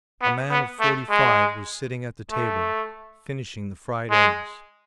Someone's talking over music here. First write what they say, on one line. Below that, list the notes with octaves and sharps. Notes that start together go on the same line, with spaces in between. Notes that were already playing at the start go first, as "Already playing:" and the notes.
A man of forty-five was sitting at the table, finishing the fried eggs.
B3
B3
A3
G#3
A3
G#3